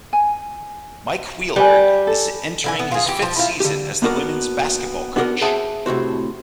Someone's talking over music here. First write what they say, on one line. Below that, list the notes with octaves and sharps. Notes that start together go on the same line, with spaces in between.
Mike Wheeler is entering his fifth season as the women's basketball coach.
G#5
G3 B4 G#5
A4
D3 E4 G#5
B3
F4 G#4
E3 G4
F3
E4 F4
D3 G4
A#3 B3 D4 F#4 A#4
B3 D4 F#4 G4 A#4
G#4 C5 E5 F#5 A5
A2 C3 F#4 C5